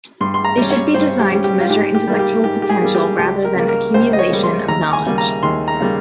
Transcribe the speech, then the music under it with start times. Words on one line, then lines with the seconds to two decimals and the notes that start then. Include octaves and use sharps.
They should be designed to measure intellectual potential rather than accumulation of knowledge.
0.21 G2 C6
0.34 C6
0.45 A#5
0.57 G3 C#4
0.70 C#5
0.94 G2 C5
1.19 G4
1.32 G3 C#4
1.44 G4
1.60 F4
1.69 G#2 G4
1.95 G4
2.08 G3 A#3
2.19 G4
2.44 G#2 G4
2.62 G4
2.69 G#4
2.81 G3 A#3
2.95 G4
3.19 C#2 G4
3.44 A#4
3.56 C#3 G3 A#3
3.68 A#4
3.94 C#2 C5
4.13 D#5
4.19 C#5
4.30 C#3 G3 A#3
4.43 C6
4.68 D#2 A#5
4.93 G#5
5.06 C#3 G3 A#3
5.18 A#5
5.43 D#2 C6
5.68 A#5
5.80 C#3 G3 A#3